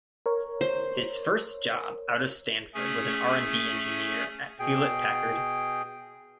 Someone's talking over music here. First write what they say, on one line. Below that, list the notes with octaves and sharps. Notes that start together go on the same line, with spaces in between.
His first job out of Stanford was an R and D engineer at Hewlett-Packard.
A#4 C#5
C5
A3 C#4 G#4
B2 G#4 G5